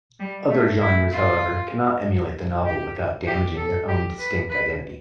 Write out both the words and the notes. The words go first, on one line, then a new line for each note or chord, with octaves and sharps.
Other genres, however, cannot emulate the novel without damaging their own distinct identity.
G3
A3
E4
F4
G4
G4
A4
G4
B4
B4